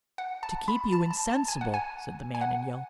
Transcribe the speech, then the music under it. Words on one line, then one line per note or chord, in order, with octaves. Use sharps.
"To keep you insensible," said the man in yellow.
F#5
A5
B5
A5
A5
A5
G#5
F#5
G#5
G#5
F#5